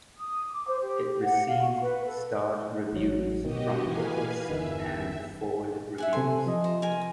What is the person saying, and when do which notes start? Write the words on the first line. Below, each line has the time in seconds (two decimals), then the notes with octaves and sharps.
It received starred reviews from "Booklist" and "Foreword Reviews".
0.17 D#6
0.49 D6
0.67 C5
0.80 G4
1.22 F#5
1.47 F5
1.62 C#6
1.80 B4
2.06 A4
2.93 A1 F#3
3.44 B2 D#3 F#4 G4 D#5
3.85 E3 B4 F5 G#5
4.49 G1 E2 D#3 E5
5.98 E5 F#5 G#5
6.13 C3 A4 G#5 C6
6.46 F3 D#5
6.64 C5 A#5
6.82 A#4 G#5